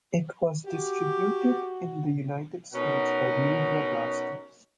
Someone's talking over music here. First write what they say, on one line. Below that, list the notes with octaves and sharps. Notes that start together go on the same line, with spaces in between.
It was distributed in the United States by Media Blasters.
F#4 G4
B2 C#4 D#4 A#4 F#5